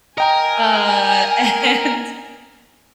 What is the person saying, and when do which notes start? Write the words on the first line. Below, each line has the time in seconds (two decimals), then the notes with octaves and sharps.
Uh, and
0.18 A#4 D#5 G5 G#5 A#5